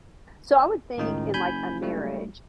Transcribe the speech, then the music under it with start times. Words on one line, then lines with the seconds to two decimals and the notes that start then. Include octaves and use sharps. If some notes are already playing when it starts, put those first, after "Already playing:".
So, I would think in like a marriage
0.98 C#2 A2 D#3 D#4
1.34 F#1 G#5 B5 G6
1.83 G3 A3